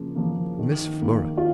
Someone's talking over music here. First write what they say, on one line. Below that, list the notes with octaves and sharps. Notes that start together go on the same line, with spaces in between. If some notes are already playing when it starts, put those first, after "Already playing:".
Miss Flora!
Already playing: C#3 F3 A#3
F3 A#3
D#3
A#3
F4